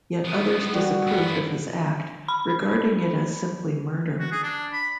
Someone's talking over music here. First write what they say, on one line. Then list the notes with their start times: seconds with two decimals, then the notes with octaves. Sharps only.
Yet others disapproved of his act, regarding it as simply murder.
0.24 F3 B3
0.74 G3 F#4
1.07 G2 B3
2.28 B5
4.20 F#4
4.32 G#4
4.44 D4
4.73 B5